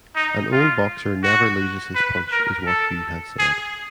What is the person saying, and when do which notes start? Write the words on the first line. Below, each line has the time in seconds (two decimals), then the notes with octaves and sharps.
An old boxer never loses his punch is what Hugh had said.
0.16 D#4
0.52 F4
1.23 F#4
1.95 B4
2.32 A#4
2.67 A4
3.39 G#4